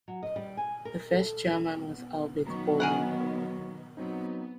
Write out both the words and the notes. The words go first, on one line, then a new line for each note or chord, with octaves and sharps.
The first chairman was Albert Ballin.
F#3
D#5
G3
G#5
A#4
A4
E4
B3
D#3 F#3 B3 A#5 C#6
G#4 A#4 F#5
F#3 B3 C4 D#4